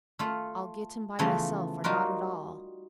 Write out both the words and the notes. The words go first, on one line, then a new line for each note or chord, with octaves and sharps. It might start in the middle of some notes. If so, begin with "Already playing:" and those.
I'll get him by myself or not at all.
A3 F4
C#3 E3 F3 A3 B3
G3 D#4 F4 F#4 A#4